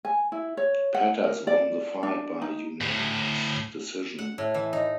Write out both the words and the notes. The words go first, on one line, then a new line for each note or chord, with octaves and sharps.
Pettas won the fight by unanimous decision.
G#5
E4
C#5
F#5
A#4
D5
D4
D#4
D2 A2
F#5
A2
E3
D#4